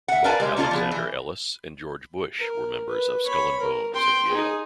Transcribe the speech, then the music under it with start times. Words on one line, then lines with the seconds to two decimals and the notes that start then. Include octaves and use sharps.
Both Alexander Ellis and George Bush were members of Skull and Bones at Yale.
0.08 E5 F#5
0.24 A#4 B4 D5 F5 G#5 A5
0.40 G3 G#3 G4
0.57 A#3 C#4 D4 F4 D5 A5
0.71 F3 B3 G#4
0.91 E3
2.39 A#4
2.88 B4
3.26 C#5 B5
3.60 A#4
3.94 G5 C6
4.31 D#4 G#4